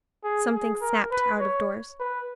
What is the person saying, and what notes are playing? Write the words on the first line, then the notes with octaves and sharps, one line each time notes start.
Something snapped out of doors.
G#4
G#4
A#4
B4
C#5
B4